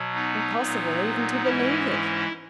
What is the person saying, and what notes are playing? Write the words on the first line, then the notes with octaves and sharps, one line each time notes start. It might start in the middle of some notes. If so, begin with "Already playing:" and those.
Impossible even to believe it!
Already playing: B2 F#3
B3 D#4
A#2 F#3
G#2 E3 G#3 C#4 E4